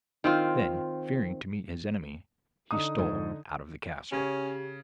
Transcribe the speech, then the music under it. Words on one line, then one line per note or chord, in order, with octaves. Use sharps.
Then, fearing to meet his enemy, he stole out of the castle.
D#3 C4 F4
D3 D#4 D#6
F2 G#2
C#3 C#4 G4